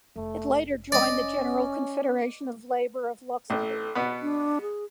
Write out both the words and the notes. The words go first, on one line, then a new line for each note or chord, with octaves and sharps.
It later joined the General Confederation of Labour of Luxembourg.
F1 A3
C#4 D5 D#5
A1 A4
B2 B3
D4
G#4